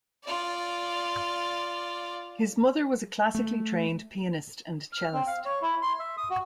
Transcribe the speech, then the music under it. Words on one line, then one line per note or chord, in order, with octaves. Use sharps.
His mother was a classically trained pianist and cellist.
F4 D5
A3
F6
C4
F5
C#5
E4
C6
E5
D#6
F#4